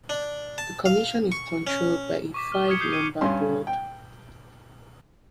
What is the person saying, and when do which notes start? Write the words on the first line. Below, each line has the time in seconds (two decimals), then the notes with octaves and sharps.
The Commission is controlled by a five-member board.
0.09 D4
0.58 A5
0.86 F5
1.32 C#6
1.67 C#4
2.34 C#6 D6 B6
2.52 F6 G7
2.68 D#6 F6 G#6 C#7
2.80 D#6 G6 C7 G7
2.93 G#6 D#7
3.21 G2 C#4 C6
3.67 G5